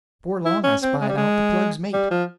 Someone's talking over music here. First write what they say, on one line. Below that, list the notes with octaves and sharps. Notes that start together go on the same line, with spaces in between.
Before long I spied out the plug's mate.
E4
C#4
C4
G#3
G3
G#3
G3
F3